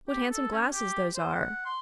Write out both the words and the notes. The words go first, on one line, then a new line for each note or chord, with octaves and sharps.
What handsome glasses those are!
G4
A4
C#4
G4
C5
F#5
C6